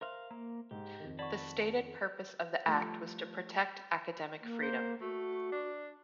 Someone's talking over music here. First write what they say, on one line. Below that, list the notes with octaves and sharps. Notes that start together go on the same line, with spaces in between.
The stated purpose of the Act was to protect academic freedom.
A#4 C5 E5 F5 C6
A#3 A#5
G#2 G4
F2 D#3
D5 F#5 A5 B5 C#6
F3 G3 A3
A#3
C5
A3 F#4
D4